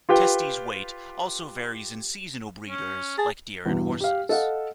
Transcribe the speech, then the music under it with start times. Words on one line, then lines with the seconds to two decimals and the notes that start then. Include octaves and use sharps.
Testis weight also varies in seasonal breeders like deer and horses.
0.09 F4 G4 B4 G5
2.68 C#4
3.18 G#4 A5
3.66 E2 G2 B2
4.00 G4 F5
4.29 A4 D#5 F5 F#5